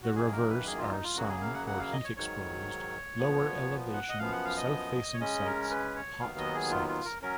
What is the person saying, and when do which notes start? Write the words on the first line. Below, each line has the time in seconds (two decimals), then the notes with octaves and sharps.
The reverse are sun- or heat-exposed, lower-elevation, south-facing sites: "hot sites".
0.03 F#4
0.15 F#2 D#3 A#3 G#4
0.32 A#4
0.49 B4
0.66 G#4
0.78 F4
0.91 D#4
1.04 F4
1.16 F#2 C#3 F#3 A#3 F#4
1.29 G#4
1.41 F5
1.54 F#5
1.67 F#5
1.79 F5
1.92 D#5
2.04 C#5
2.17 G#2 D#3 F#3 C#5
3.18 A#2 F3 B3
3.94 F#5
4.09 D#5
4.19 F#2 F3 B3 F5
4.32 F#5
4.45 F5
4.57 D#5
5.14 C#5
5.20 C#3 G#3 C#4 D#5
5.45 A#4
5.71 B4
5.96 C#5
6.21 D#2 D#3 F#3 B3 F5
6.38 D#5
6.54 G#4
6.71 F4
6.88 F4
7.05 A#4
7.22 F#3 C#4 A#4